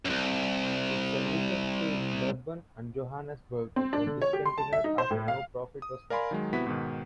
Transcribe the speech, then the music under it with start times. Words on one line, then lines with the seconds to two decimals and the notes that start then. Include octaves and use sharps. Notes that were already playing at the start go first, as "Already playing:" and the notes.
Its services to Durban and Johannesburg were discontinued after no profit was made.
0.05 C2 F#2
3.76 C4
3.93 D4
4.07 D3
4.22 C#5
4.33 G4
4.45 C6
4.58 A5
4.73 E5
4.84 D#4
4.98 C5
5.11 A2
5.28 F5
5.82 D#6
6.10 A#4 D5 F5 G#5 B5 C6
6.31 D#3 F#3 G#3
6.53 C3 B3 E4 F#4 F#5 B6
6.67 G#2 B2 D#3